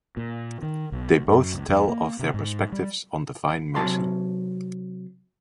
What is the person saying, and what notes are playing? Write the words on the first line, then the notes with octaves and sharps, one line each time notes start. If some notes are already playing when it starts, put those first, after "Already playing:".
They both tell of their perspectives on Divine Mercy.
A#2
D#3
B1
D2
F#2
C#2
F2
A#3
C3
G#2
G3
C3 F#3 A5 C6